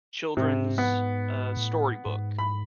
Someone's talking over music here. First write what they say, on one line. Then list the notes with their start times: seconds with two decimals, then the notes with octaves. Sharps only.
children's, uh, storybook,
0.37 G#2 C3
0.78 B3
1.57 A2
2.06 G#2
2.39 B5